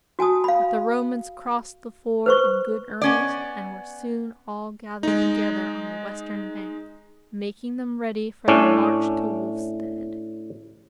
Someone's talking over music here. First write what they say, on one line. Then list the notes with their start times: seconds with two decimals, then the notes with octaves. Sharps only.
But the Romans crossed the ford in good earnest and were soon all gathered together on the western bank making them ready for the march to Wolfstead.
0.19 F#4 G#5 A5 D#6
0.44 F5 B5
2.26 B4 C5 C#6
3.02 B3 C#4 D5
5.03 G#3 D#4
8.48 A2 C#4 D4